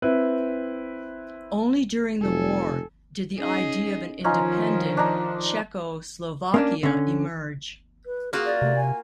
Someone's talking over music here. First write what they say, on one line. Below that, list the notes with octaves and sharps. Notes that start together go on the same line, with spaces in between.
Only during the war did the idea of an independent Czecho-Slovakia emerge.
C4 E4 B4
F1 A4 G#5
C#4 D#4 G#4
D#3 F3 C#4 D#4 F4
D4 D#4
A#3 C#4 D4
D3 C#4
B4
A#3 F4 F#4 G#4
D5
C3 A3
G#5